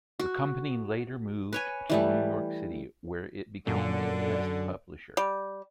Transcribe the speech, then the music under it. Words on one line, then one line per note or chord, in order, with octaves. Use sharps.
The company later moved to New York City, where it became a test publisher.
F#4
B4 C#5 G#5
E3 G3 A3
F#2 A#2 D3
G3